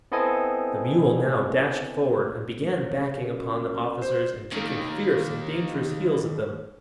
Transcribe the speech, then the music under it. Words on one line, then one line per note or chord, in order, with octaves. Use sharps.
The mule now dashed forward and began backing upon the officers and kicking fierce and dangerous heels at them.
B3 C4 E4 A4 D#5 G#5
F#2
C5
D#2 D#3